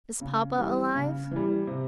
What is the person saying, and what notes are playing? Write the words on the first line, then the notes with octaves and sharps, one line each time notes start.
Is papa alive?'
C#3
E3 G3
C#3
E3 G3
C3